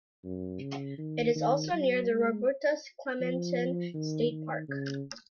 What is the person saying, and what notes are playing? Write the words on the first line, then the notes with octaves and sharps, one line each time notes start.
It is also near the Roberto Clemente State Park.
F#2
C#3
D#3
D#3
F#3
G#3
F3
D#3
D#3
C#3